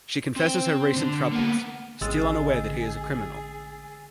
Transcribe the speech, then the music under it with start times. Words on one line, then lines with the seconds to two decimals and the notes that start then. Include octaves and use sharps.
She confesses her recent troubles, still unaware that he is a criminal.
0.36 C4 C5
0.96 D3
1.32 A#3 B3
2.01 A1 D3 G#3 G#4 E6 A6